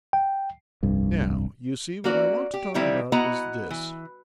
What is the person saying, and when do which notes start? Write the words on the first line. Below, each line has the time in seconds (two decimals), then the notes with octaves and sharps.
Now, you see, what I want to talk about, is this.
0.13 G5
0.83 F1 C2 G2
2.04 A#3 C#4 F#4 D5
2.54 G4
2.74 D3 D#3 F3 G3 C4 E4
3.12 B3 E4 F#4 D#5 F#5 A#5
3.70 E3